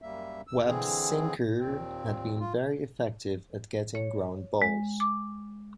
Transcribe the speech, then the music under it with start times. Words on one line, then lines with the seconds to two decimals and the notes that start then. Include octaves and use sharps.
Webb's sinker had been very effective at getting ground balls.
0.02 F#2 G3 A#3 E5
0.47 D2 E6
0.66 D3 E3 C4 G#4
1.59 D#2 A#2 C4
2.40 F4
3.95 C#5
4.62 G#3
5.00 D6